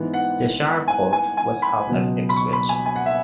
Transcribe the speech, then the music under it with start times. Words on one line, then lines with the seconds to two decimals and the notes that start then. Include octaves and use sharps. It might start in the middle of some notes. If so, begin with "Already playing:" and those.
The shire-court was held at Ipswich.
Already playing: G#2 E3 B3
0.13 F#5
0.88 G#5
1.13 G#5
1.37 G#5
1.62 B5
1.86 C#2 B2 F#3
2.29 B5
2.36 C#6
2.53 B5
2.69 G#5
2.86 G#5
2.96 F#5
3.06 E5